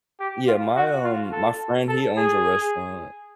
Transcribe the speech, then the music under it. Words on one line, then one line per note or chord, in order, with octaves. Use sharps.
Yeah, my, um, my friend, he owns a restaurant.
G4
F4
F#4
F4
A4
A4
G#4